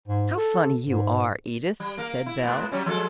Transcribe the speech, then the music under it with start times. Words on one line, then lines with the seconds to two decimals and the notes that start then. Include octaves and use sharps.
"How funny you are, Edith," said Belle.
0.08 G#2
0.37 A4
0.86 G#2
1.80 G3
1.97 A#3 A#4
2.26 E4
2.44 A2 B3
2.71 F#3 G3 C#4
2.86 F3 G#3 A4